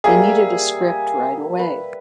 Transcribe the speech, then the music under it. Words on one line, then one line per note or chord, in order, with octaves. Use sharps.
They needed a script right away.
G3 A#3 G#4 E5
B4